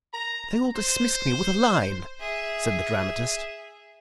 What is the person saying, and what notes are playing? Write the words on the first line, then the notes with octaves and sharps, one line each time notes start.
"They all dismissed me with a line," said the dramatist.
A#5
C5
G#4 E5